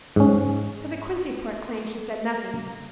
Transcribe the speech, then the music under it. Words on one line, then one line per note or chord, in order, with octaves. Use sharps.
To the Quincy-port claim she said nothing.
G#2 C#4